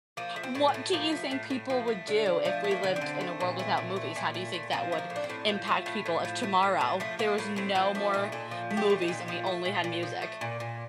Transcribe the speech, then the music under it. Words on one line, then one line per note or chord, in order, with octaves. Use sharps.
What do you think people would do if we lived in a world without movies? How do you think that would impact people if tomorrow there was no more movies and we only had music?
F3 A#3
A3
C4
A2
A3
A2
F3 A#3
A3
A2
A2
F3
A3
D3
D3
F3 A3
A3
A#3
D3
C4
D3
A3
A#2
A3
A#2
A3
A#2
A3
A#2
F3 C4
A3
A#3
A2
D4
C4
A2
F3
A3
A2
A2
F3
A3
A2
A2
F3 A3
A3 A#3
A2 A#3
A2 C4
F3 C4
A3 D4
A#2 D#4
A#2 A4
F3
A3
G4
A#2
D#4
A#2
F3
A3
A#2
A#2
F3
A3
A#2
A#2